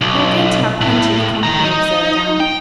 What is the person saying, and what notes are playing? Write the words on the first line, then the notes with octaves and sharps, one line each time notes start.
"We are going to have plenty of company," observed Anne.
B1
A2
D#3 A#5
D#4
G5